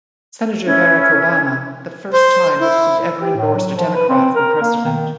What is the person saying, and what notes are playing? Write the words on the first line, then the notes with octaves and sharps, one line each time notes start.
Senator Barack Obama-the first time that it had ever endorsed a Democrat for president.
C#4 E4 G#6
C5
E4
G4
A2
F#3
F3
B4
C4
A#4
A#3
D#3